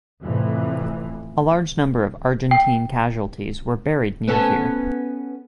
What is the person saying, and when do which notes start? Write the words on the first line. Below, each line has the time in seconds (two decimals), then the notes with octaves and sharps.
A large number of Argentine casualties were buried near here.
0.22 F2 A2 C3 E3
2.51 G5
4.28 B3 C#4 A4